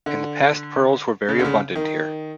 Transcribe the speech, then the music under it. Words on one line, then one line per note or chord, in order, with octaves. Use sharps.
In the past pearls were very abundant here.
D3
C#3
D3
C#3
D#3